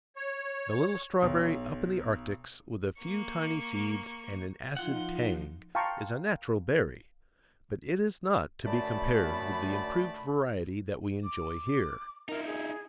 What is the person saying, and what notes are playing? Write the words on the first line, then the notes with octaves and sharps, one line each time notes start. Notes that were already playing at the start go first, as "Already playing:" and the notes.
The little strawberry up in the arctics with a few tiny seeds and an acid tang is a natural berry, but it is not to be compared with the improved variety that we enjoy here.
C#5
B1
A#3 C#6
F3 D#4 F4 F#5
F5 G5 A5 A#5 C6 C#6
F#2 D3 A3 D5 A5 B5
D6
D#4 E4 A#4
G#4